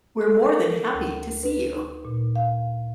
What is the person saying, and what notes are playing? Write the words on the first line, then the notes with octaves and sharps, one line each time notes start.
We're more than happy to see you.
A4
A#4
D2
B4
D#4
A#2
F5